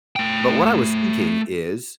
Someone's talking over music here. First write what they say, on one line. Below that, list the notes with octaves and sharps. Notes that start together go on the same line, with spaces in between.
but what I was thinking is,
A3 G5